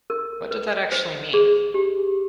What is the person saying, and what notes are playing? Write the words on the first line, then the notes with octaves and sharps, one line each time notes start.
What did that actually mean?
A#4
B4
C5
G#4
G4